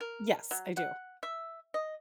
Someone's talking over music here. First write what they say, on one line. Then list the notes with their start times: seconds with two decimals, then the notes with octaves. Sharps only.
Yes, I do.
0.01 A#4
0.51 F#3
0.77 F#5
1.23 E5
1.74 D#5